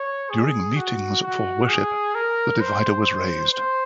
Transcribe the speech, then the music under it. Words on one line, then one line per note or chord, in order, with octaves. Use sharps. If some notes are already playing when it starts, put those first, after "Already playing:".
During Meetings for Worship, the divider was raised.
Already playing: C#5
G#4
F#4
F#4
G#4
A#4
C5
C5